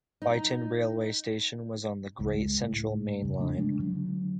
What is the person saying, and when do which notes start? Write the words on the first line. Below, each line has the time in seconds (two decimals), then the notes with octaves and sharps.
Beighton railway station was on the Great Central Main Line.
0.22 D#4
2.19 F#1 C#2 G#3
2.63 A2
3.22 F2 C#3
3.38 C#3 F3 A3 D4
3.57 C#3 G#3 C#4 D4
3.79 D3 F#3